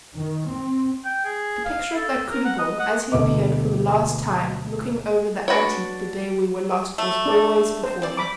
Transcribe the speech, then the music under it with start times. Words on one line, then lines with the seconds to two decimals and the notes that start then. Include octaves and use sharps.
The picture of that koodoo bull as he appeared for the last time looking over the ant-heap the day we were lost was always before me.
0.17 D#3
0.47 C4
1.05 G5
1.25 G#4
1.65 F5
1.96 A4
2.31 A#4
2.45 F#5
2.59 D#5
2.80 F#5
3.12 D2 B2 D#5 D6
5.48 D4 F#4 B4 C#5
6.98 A3
7.26 D4 A4 D5
7.84 C5
8.02 C4 D5
8.17 B5 D6